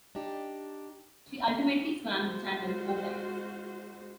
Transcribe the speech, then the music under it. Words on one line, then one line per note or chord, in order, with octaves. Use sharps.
She ultimately swam the Channel four times.
D4 D#4 G4
G#3 F4 F#4 C5